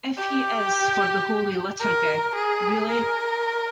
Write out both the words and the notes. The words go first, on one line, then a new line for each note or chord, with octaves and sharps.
If he is for the Holy Liturgy, really.
G4
A#4
G#4
A#4